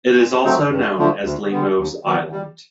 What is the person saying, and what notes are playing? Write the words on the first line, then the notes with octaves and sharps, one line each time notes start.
It is also known as Lemo's Island.
A#2
F#3 A3 C4 D#4
G2
D3 F3 A3
D2
D3 G3 B3
D#2
D#3 F#3 B3
G3